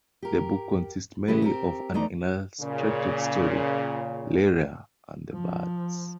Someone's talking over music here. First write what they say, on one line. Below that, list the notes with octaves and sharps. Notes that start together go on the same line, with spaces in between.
The book consists mainly of an illustrated short story, "Lyra and the Birds".
G4 A#4
C#3 E3 G#3 G4 B4
C4 G4 A#4
E2 A3 D#4 D5 A#5
A#2 C#3
F3